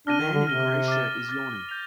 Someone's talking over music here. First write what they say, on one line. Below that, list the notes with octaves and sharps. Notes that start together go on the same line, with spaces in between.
A man in a gray shirt is yawning.
D4 F6 A#6 D#7 G7
D#3
D3
C3 F6 A#6 D#7 G7
D6 F6 A6
D6 F6 A6
G6 A#6 F7